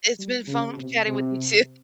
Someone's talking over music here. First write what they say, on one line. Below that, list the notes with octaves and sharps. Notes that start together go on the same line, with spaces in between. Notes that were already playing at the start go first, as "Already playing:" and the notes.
It's been fun chatting with you too.
G3
C#3
C3
C3